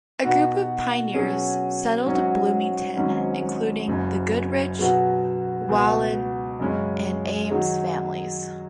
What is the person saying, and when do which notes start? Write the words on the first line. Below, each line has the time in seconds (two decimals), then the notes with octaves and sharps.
A group of pioneers settled Bloomington, including the Goodrich, Whalon, and Ames families.
0.24 B2 B3 D#4 F#4
1.14 B2 F#3 C#4 G#4
2.06 G#2 F#3 C#4 F#4
2.97 G#1 G#2 F#3 C#4
3.87 F#1 F#2 C#3
4.78 B2 F#3 B3 G#4
5.69 C#2 B2 B3 F#4
6.60 F#2 C#3 G#3 C#4
7.50 D#3 F#3 D#4 G#4